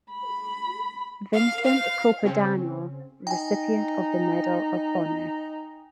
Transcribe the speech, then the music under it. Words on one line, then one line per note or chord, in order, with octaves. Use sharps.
Vincent Capodanno, recipient of the Medal of Honor.
B5
F5
F5
C#3 C4 C#4
D#4 G5 G#5